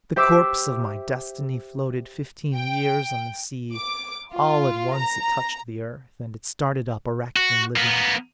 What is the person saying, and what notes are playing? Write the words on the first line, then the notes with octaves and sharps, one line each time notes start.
The corpse of my destiny floated fifteen years on the sea; all at once it touched the earth, and it started up, erect and living.
G4 C5 E5 D6 E6
G5
D6
F4
A#5
F#4
A#3 B3